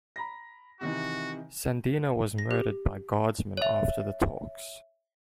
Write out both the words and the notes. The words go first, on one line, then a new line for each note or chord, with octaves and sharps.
Sandino was murdered by Guardsmen after the talks.
A#5 B5 A#6
C3 D#3 E3 F#4
A#6
G4
C#5 E5